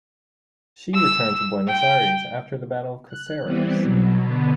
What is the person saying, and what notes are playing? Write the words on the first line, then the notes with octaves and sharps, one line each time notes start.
She returned to Buenos Aires after the Battle of Caseros.
E6
G5
F#6
E3 G3 B3 C4
B2 F#3
B2 D3 B3